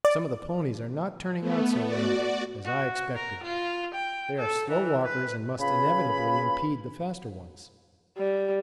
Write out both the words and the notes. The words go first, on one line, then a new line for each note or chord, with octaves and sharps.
Some of the ponies are not turning out so well as I expected; they are slow walkers and must inevitably impede the faster ones.
D5
A3 B3
F#4 D5
F#4
A#4
F4
G5
A4
E3
B4
C#3 F4 B4 G#5 B5
G3